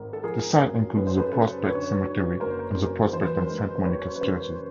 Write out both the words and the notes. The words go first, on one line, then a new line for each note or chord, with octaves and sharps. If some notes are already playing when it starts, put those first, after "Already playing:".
The site included the Prospect Cemetery and the Prospect and Saint Monica's Churches.
Already playing: G#1 G#2 A#4
A4
F3 G#4 A#4
F#2
F#2 B4
C5
A4 B4
C#3 A4 B4
D3 B4 C#5
F#3
F#1 A#4 C5
F#2
E3 C5
B4
A#4 C5
G#3
C5
F#2 B4 C#5
B4
C#3 A#4 C5